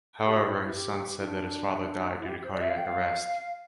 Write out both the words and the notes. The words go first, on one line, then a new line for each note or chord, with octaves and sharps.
However his son said that his father died due to cardiac arrest.
A4
G4
F4
E4
E4
G4
E4
D4
E4
G4
C5
D5
E5
F5
G5
F5